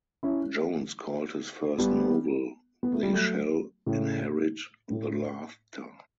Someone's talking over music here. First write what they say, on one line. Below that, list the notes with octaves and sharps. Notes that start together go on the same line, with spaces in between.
Jones called his first novel "They Shall Inherit the Laughter".
C#4 E4
G3 B3
B3
A3
G3
F#3 A3
A2 C#3
A2